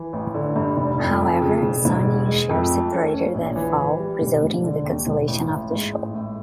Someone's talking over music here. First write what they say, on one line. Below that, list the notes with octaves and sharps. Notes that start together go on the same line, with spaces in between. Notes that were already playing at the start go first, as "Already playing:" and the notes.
However, Sonny and Cher separated that fall, resulting in the cancellation of the show.
Already playing: E3
A1
D3
G2
F1
F2
F2
C#3
E1
E1
G#3
G#3
F2
A3
C#4
C#4
A#1
E3
E3
G3
E1
E1
D3
D#2
E1
A1
A1
G#2
A1
A2